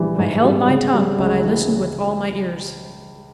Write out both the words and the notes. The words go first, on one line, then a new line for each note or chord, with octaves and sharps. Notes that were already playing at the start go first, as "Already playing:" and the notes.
I held my tongue, but I listened with all my ears.
Already playing: A#1 E3 G3
G#2
G3
C#3
G3
C#2
E3